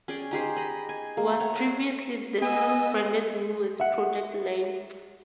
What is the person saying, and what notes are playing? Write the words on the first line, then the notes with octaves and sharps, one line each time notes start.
Was previously the self-branded "Woolworths" product line.
C#4 G#4 D5 G5
D#4 G4 G#4 C5
D#5 B5
G#5
A#3
C#5 F#5
B3 D#5 G#5 E6
E5 F#5